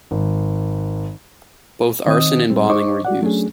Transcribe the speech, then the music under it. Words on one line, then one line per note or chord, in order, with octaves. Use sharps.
Both arson and bombing were used.
G#1
D#3 C4 D#5 D#6
A2 G3 C4
D#4 C5 D#5 C#6 D6
F#4 D5 F#5
F#3 A3 C#4 D4 G#4